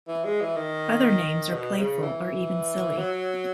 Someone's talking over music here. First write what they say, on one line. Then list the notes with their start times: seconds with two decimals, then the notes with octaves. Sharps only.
Other names are playful or even silly.
0.08 E3
0.25 G#3
0.41 E3
0.56 D#3
1.53 B2
1.78 C#3
2.02 E3
2.99 F#3